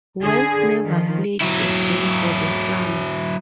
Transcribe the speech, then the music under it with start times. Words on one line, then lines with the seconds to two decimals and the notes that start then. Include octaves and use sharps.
Wells never played a game for the Suns.
0.23 D3 G#4
0.85 D#3 F3
1.41 F#3 E4